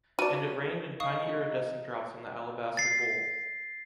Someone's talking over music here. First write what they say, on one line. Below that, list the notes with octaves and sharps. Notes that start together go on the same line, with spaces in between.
And it rained in tiny iridescent drops on the alabaster bowl.
F#4 C#5 D5 A5 D#7
D#4 F5 C#6 D#6
A6 C7